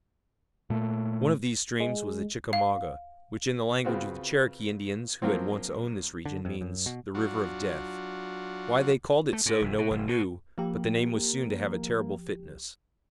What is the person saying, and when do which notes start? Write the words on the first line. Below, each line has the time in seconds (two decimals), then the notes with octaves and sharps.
One of these streams was the Chickamauga, which in the language of the Cherokee Indians who had once owned this region means "the river of death." Why they called it so no one knew, but the name was soon to have a terrible fitness.
0.70 A#2 A3
1.80 G#3
2.53 F5
3.85 C#3 B3 C4 F4 F#4
5.22 F3 F#3 A#3 C4
6.26 D3
6.45 F2
6.61 F#2
6.86 B2
7.15 F#3 D4 F4 F#4
9.33 A3
9.46 G#2
9.61 F1
9.78 B2
9.91 F#1
10.08 B2
10.58 F3 A#3 G4